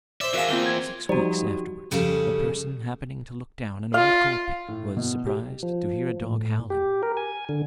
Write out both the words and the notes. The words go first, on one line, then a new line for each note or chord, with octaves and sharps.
Six weeks afterwards a person happening to look down an old coal-pit, was surprised to hear a dog howling.
C5 D5 E5
E2 F#4 G#4 A#4 E5 F5 A5
A#3 C4 F4 G7
C5 G#6
F3 G3 D#4 F#4 G4
F2 C#3 G3 C#4 G#4 A4
F4 F5
A2
B2
G4
F3
A2
G4
A#4
G#5
D3